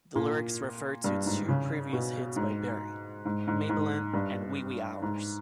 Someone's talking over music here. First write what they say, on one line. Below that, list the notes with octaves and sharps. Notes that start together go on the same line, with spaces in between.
The lyrics refer to two previous hits by Berry, "Maybellene" and "Wee Wee Hours".
A#2
G2
G#2
C#3
B2
G#2
G#2
G#2
G#2
G2
G#2